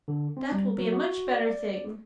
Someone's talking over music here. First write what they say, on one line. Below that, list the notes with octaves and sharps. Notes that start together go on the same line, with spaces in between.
That will be a much better thing.
D3
C4
G3
F#3
F#4
D5